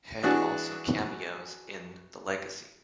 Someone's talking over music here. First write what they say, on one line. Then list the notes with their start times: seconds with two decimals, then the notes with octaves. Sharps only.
Head also cameos in "The Legacy".
0.23 E3 D4 F#4 G#4